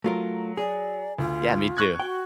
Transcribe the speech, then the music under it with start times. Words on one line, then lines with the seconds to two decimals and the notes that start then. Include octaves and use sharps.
Yeah, me too.
0.04 F#3 A3 F4 A#4
0.57 G#4 D5
1.18 D2 F4
1.77 C#6 F#6 G#6
2.00 F#4 G5